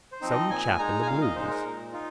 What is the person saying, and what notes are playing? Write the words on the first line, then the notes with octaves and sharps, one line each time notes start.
Some chap in the blues.
C5
F3 C4 D#4
D#5
A#2 G#5
G#3 D#4 A#5
G#5
A#2 F5
D#5
G#3 D#4 C5
A#4
A#2
D#4 F4